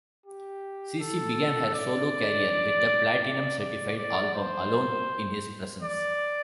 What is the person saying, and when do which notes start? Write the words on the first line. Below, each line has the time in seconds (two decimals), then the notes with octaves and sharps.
CeCe began her solo career with the Platinum certified album "Alone in His Presence".
0.26 G4
1.00 A4
1.74 D5
3.22 D5
3.60 D5
3.97 D5
4.35 C5
5.83 D5